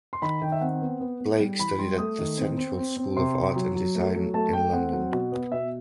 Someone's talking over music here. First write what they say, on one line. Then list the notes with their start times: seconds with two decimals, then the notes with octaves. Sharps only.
Blake studied at the Central School of Art and Design in London.
0.13 C6
0.22 D#3 B5
0.42 D#3 G5
0.52 E5
0.61 C4 F#5
0.81 B3
1.00 B3
1.20 B3
1.40 G3
1.59 E3 B5
1.79 G3 C6
1.98 A3 D#6
2.18 D#3
2.38 C4
2.57 C4
2.77 C4
2.97 C4
3.16 C3 C6
3.36 C3
3.56 F#3
3.75 F#3
3.95 A3
4.15 F#3
4.34 A3 A5
4.53 A3 G5
4.73 C4 F#5
4.93 F#3 F#5
5.12 B2
5.32 B3
5.52 B2 E5